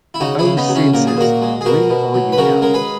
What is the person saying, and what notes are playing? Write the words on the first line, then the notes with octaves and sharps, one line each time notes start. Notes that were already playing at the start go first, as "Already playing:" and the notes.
O censors, where are you now?
E4
C#3 D#4 F#4
E4 G#4
C#3
B3 D#4
F#3
C#4 E4
A#2 A#4
G#4
A#2 F#4 A#4
G#3
G#4
B2 F#4 A#4
B2
F#3
B4
C#3 F#4 A#4
G#3 A#4
G#4 B4